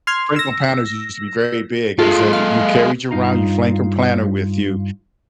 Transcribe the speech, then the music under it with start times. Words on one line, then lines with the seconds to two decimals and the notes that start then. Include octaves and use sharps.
Franklin Planners used to be very big. It was a you carried around your Franklin Planner with you
0.07 C6 F6 G#6
0.36 E6 A#6
1.99 G#3 F4 A4
2.33 F5
3.11 G2 A#3 D#4 F4 F5 A#5